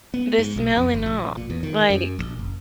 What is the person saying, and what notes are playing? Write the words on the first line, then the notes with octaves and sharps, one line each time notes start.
The smell and all, like
B3
G#2
B1
F2
G1
A#1
A#2
E2
D#3
F#2
A#1
F#1